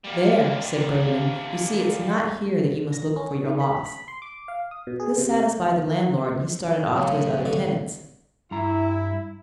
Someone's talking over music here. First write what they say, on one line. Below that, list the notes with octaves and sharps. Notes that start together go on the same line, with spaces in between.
'There,' said Bergmann, 'you see it's not here that you must look for your loss.' This satisfied the landlord, and he started off to his other tenants.
G3 A#3
A#6
C#4
D#3
B5
B5
C6
D6
F5
D#6
B2
G#4
C3
F#2 F#3 A3 C#5 F5 D#6
D3
G2 E4 A#5